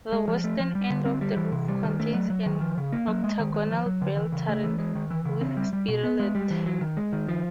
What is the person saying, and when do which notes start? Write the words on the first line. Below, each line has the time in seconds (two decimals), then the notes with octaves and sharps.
The western end of the roof contains an octagonal bell turret with spirelet.
0.12 G#3
0.28 F3
0.44 A3
0.60 F3
0.75 G3
0.90 D3
1.05 C4
1.21 G3
1.37 E3
1.52 C3
1.68 G3
1.83 D#3
2.00 A3
2.14 F#3
2.30 F#3
2.46 D#3
2.61 F3
2.77 C#3
2.93 A#3
3.08 F#3
3.24 G#3
3.39 D#3
3.54 G#3
3.71 F3
3.86 F#3
4.02 D3
4.17 E3
4.32 C#3
4.48 A3
4.64 E3
4.79 G#3
4.95 D#3
5.11 E3
5.25 C#3
5.41 C4
5.57 G3
5.73 G3
5.88 B2
6.03 B3
6.20 G#3
6.35 G3
6.50 E3
6.66 F#3
6.81 D#3
6.97 G#3
7.13 D#3
7.28 F3